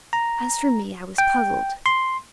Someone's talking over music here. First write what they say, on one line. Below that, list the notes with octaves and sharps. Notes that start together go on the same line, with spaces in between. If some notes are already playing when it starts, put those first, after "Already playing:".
As for me, I was puzzled.
A#5
G5
C6